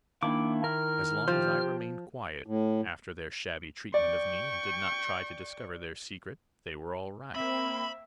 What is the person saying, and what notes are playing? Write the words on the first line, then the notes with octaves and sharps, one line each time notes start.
As long as I remained quiet, after their shabby treatment of me, and did not try to discover their secret, they were all right.
D#3 A#3 D4 E4 D6
A#4 F6
F3 G4 C5
A2
D5 G5 C#6
A#3 C4 E5 B5